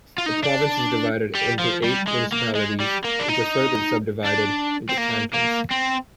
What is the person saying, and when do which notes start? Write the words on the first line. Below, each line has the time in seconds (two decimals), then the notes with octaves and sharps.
The province is divided into eight municipalities which are further subdivided into cantons.
0.18 F4
0.26 D#4
0.44 D4
1.35 G3
1.59 F3
1.84 G3
2.07 G#3
2.32 A#3
2.55 G#3
2.80 G3
3.05 A#3
3.19 D4
3.29 D#4
4.26 D4
4.89 C4
4.98 A#3
5.34 A#3
5.71 C4